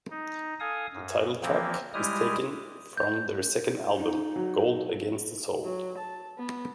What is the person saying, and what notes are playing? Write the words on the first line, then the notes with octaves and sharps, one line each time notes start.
The title track is taken from their second album "Gold Against the Soul".
D#4
A4 F5 G#5 D#6
F#2
E3 F3 A#3 C4
G3 G#3 E4 G4 D#6 F6
G6
D#4
F#3
F#3
A5
B3